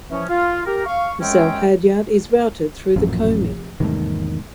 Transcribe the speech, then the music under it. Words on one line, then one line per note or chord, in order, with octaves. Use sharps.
The sail halyard is routed through the coaming.
E3 F3 C#4
F4
G4 A#4
F5 C#6
F#2 G#3 C4 C#4 G5
A1 F#2 A#2 F3 A3
E2 G#2 C3 D#3 G3 A3